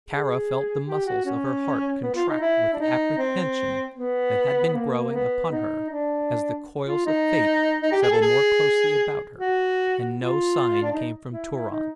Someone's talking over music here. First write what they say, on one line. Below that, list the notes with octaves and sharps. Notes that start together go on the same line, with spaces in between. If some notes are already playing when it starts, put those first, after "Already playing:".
Tara felt the muscles of her heart contract with the apprehension that had been growing upon her as the coils of Fate settled more closely about her and no sign came from Turan.
G#4
G4
F#4
C#4
B3
F4
D#4
E4
D4
D#4
C4
B3
B3
A#3
B3
D#4
D4
F4
D#4
D#4
G4
G#4
A4
G#4
F#4
F4
D4
D#4
E4
E4
D#4